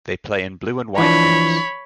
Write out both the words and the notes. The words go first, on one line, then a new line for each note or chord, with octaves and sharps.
They play in blue and white hoops.
E3 F3 D4 C#5 B5